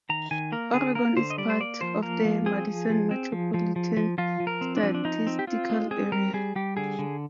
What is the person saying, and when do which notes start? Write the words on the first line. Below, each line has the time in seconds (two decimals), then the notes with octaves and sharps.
Oregon is part of the Madison Metropolitan Statistical Area.
0.09 D#3 A#5
0.31 D#3 G#5
0.52 A#3 A#4
0.73 D3 G#4
0.95 A#3 A#4
1.17 D3 C5
1.30 D#5
1.38 G3 D5
1.50 C5
1.60 A#3 D5
1.81 F3 C5
2.03 A#3 A#4
2.25 F3
2.46 C4 G#4
2.67 F3
2.90 F3
3.11 C4
3.32 F3
3.54 F3
3.76 F3
3.97 F3
4.18 F3 F4
4.40 F3
4.47 A#4
4.61 C4
4.77 D4
4.83 F3
4.95 D4
5.05 F3 D#4
5.27 C4
5.39 G4
5.47 C4 F4
5.70 G#3
5.91 C4 G#4
6.12 G3 A#4
6.34 G3 G#4
6.55 G3 G4
6.77 D3 G#4
6.99 D3